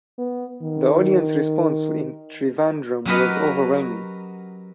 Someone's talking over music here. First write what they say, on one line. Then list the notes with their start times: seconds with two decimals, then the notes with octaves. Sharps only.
The audience response in Trivandrum was overwhelming.
0.18 B3
0.63 D#3
3.05 F#3 C#4 G4 A#4 B4 D#5